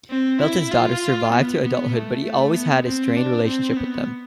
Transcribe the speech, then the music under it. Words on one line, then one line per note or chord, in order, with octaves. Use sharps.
Milton's daughters survived to adulthood, but he always had a strained relationship with them.
C4
E4
F4
B3
B3
A3
A3
B3
C4
D4
C4
B3